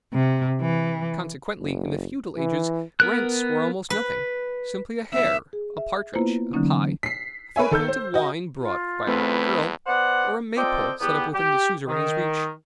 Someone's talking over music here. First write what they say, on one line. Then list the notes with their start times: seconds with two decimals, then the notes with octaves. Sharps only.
Consequently, in the feudal ages, rents were almost nothing,--simply a hare, a partridge, a pie, a few pints of wine brought by a little girl, or a Maypole set up within the suzerain's reach.
0.13 C3
0.61 E3
1.60 F#1
2.37 E3
3.00 B3 A#4 F#6
3.90 B4
5.13 E5
5.53 G#4
5.77 E5
6.13 A#3 B3 E4 F4 B4 C5
6.53 D3 E3 F#3 A#3 C#4 D#4
7.03 B6 C7
7.56 A#4 B4 C#5 E5 G#5
7.71 D#3 A4 E6 G6
7.88 C5
8.14 F#4 D#5
8.60 F4
9.07 E2 A3 C4 B4
9.87 B3 C5 D5 F#5
10.57 C4 F4 A4 D5 D#5 G5
11.00 E2 B3 G4
11.33 G4
11.88 D#3